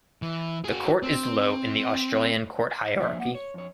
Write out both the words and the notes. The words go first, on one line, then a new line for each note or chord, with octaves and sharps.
The court is low in the Australian court hierarchy.
E3
F#4 G#4
C4
F3 A#3 D4 C5 C#5 E5
A#3 F#5
C#5
F2 C#5